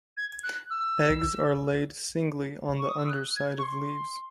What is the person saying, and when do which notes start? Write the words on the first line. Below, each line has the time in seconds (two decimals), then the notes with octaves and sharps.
Eggs are laid singly on the underside of leaves.
0.17 G#6
0.43 F#6
0.70 E6
2.79 C#6
2.89 D#6
2.98 E6
3.09 F#6
3.36 G#6
3.58 C#6
3.63 C6